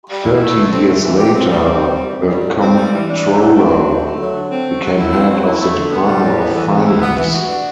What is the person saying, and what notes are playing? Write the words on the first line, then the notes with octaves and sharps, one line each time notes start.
Thirty years later, the comptroller became head of the department of finance.
G3
E4
A3
D3
C4
A3
E3
G4
C4
G3
C4
G3
C3
C4
G3
A2
C4
G3
E3
D4
A3
F#3
C4
F#3
D3
A3
F#3
D3
C4
A3
F#3
E4
C4
F#3
E4
A3
D3
B3
G3
A2
B3
E3
C3
E4
B3
E3
F#4
D4